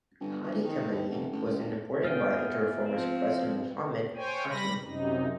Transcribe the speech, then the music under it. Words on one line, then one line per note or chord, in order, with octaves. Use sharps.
Hadi Khamenei was an important adviser to reformist President Mohammad Khatami.
G1
G1
D#3
D#2
F1
A1
C#2
G#1
B3 F4 G#4 E5 G5
F3 C4 F5
C5 C#5 G5 G#5
G3 B5 A#6
F#2 C3 D#4